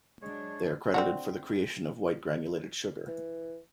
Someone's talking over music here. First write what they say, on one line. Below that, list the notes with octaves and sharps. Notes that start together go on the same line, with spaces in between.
They are credited for the creation of white granulated sugar.
F#3 G#3 D4 C#5
C4 D4 F#4
E3